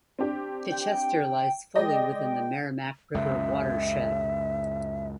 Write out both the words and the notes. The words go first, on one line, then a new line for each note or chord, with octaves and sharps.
Chichester lies fully within the Merrimack River watershed.
C4 D4 G4
G5
G#3 D5 D#5 G5
C#2 F#2 C#3 E5